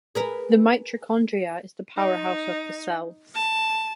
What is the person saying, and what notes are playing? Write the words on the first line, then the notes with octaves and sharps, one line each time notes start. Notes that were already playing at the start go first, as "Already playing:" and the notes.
The mitochondria is the powerhouse of the cell.
G#4 A#4 B4
D#4
A5